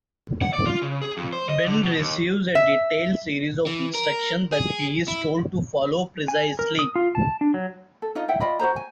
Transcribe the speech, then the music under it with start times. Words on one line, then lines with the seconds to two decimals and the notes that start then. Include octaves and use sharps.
Ben receives a detailed series of instructions that he is told to follow precisely.
0.42 F#5
0.53 D5
0.66 F4
0.82 C#3
1.02 G#4
1.17 F2
1.33 C5
1.49 D#5
1.66 D3
1.83 B2
1.99 D#2
2.55 E5
3.66 E3
3.95 A#4
4.52 G#4
5.08 E4
6.28 G#5
6.59 A#4
6.79 D#6
6.96 F4
7.15 A5
7.41 D4
7.54 F#3
8.02 A4
8.15 D#4 F4 D#5
8.28 E4 E5 F#5 G5
8.40 F4 D5 D#5 B5
8.59 F#4 G#4 C5 A#5
8.76 G#5